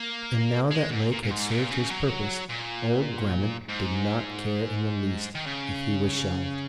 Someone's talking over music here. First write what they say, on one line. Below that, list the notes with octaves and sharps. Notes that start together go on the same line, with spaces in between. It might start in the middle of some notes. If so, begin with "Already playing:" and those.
And now that Lake had served his purpose old Grammont did not care in the least if he was shelved.
Already playing: A#3
G#3
G#2
A#2
A#2
G#2
A#2
C#3
F#3
A#2
G#2
D#3
C#3